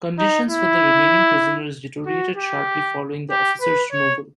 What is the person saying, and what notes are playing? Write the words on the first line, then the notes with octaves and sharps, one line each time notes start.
Conditions for the remaining prisoners deteriorated sharply following the officers' removal.
D#4
E4
F#4
G4
G4
B4
C#5